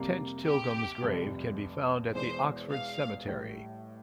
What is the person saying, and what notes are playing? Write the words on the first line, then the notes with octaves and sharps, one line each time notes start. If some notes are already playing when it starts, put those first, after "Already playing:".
Tench Tilghman's grave can be found at the Oxford cemetery.
Already playing: F2 C3 G3 A#3
G4
F1 F2 C3 G3
E1 E2 E3 C5
F5
A1 A2 G3